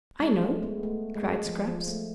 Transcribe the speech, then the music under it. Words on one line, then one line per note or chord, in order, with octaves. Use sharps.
"I know!" cried Scraps.
G#3
A3
G#3 B3
A3
G#3
F3
F3
A3